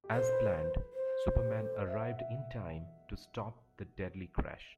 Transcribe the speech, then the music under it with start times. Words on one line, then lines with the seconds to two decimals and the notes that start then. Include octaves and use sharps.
As planned, Superman arrived in time to stop the deadly crash.
0.04 G4
0.12 A4 C5
0.33 B4
0.53 B4
0.93 C5
1.33 B4
1.44 G4
1.54 A4
1.74 D#5
1.88 E5
2.00 F#5
2.15 E5